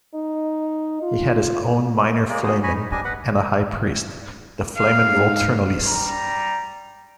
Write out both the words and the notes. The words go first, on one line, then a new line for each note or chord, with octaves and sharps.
He had his own minor flamen, and a high priest, the "Flamen Volturnalis".
D#4
F4
G#3 A#3 D5
D#4 F#4 G#4
C#5 D#5 G#5 B5
D#4
G3 D4 D#5 G#5
B4 D#5 F#5 B5
F5
G#2 G#3 D#4
G3 A#5